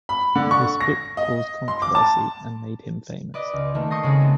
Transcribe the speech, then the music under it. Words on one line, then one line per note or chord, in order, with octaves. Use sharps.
This book caused controversy and made him famous.
B5
D3
C#6
A#6
D#5
C6
D6
A5
B4 D5 D#5
C#2
D#3 A3 A#3
C#6 D#6 G6 A#6 C7
C#3 G#3 C4
A3 B3